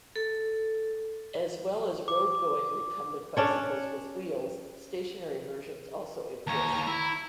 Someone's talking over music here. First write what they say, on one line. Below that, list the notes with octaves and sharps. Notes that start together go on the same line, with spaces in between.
As well as road-going recumbent bicycles with wheels, stationary versions also exist.
A4
D6
C#4 D4 C#5
D#2 C#5 A#5
E4